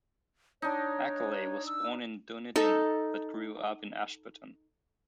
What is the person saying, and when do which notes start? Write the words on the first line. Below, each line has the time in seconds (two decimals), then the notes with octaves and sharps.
Ackerley was born in Dunedin but grew up in Ashburton.
0.62 D4 D#4 C#5
1.66 E6
2.56 D#4 A4